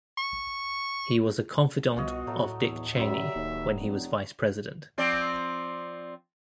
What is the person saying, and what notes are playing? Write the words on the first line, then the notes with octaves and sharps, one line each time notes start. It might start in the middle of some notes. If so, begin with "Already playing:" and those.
He was a confidant of Dick Cheney when he was Vice President.
C#6
C2 B2 F4 F#4 C#5 D#5
A2 F#3 A3
E2
F#2 A2 F#3 G3 E5 C6
D1 D#2
F1
F3 C4 D5